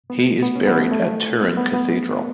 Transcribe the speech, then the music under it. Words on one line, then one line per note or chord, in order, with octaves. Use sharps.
He is buried at Turin Cathedral.
B3
A3
B3
C#4
B3
A3
A3
B3
B3
B3